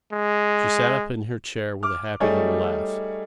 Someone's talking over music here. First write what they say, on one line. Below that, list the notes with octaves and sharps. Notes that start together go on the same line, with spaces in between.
She sat up in her chair with a happy little laugh.
G#3
D6 F6
G3 A3 D#4 G#4 C#5